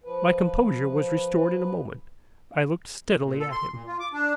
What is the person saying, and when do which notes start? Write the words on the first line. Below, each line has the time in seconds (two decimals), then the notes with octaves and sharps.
My composure was restored in a moment. I looked steadily at him.
0.04 F3 B4
3.22 A#2
3.40 A4
3.52 C6
3.72 A#2
3.87 F4
4.00 D6
4.13 D4